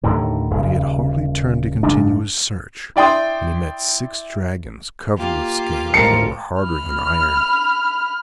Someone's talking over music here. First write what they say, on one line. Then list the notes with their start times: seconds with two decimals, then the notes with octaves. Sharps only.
But he had hardly turned to continue his search when he met six dragons covered with scales that were harder than iron.
0.04 D#2 A2 D3 D#3
0.51 D#1 C#3
1.83 F#1 C#3 G#3 D4
2.96 E4 D5 G5 C6 D#6
5.17 A#3 F4 G4
5.94 G#1 A2 F3 A#4 A5 C#7
6.59 B5 F6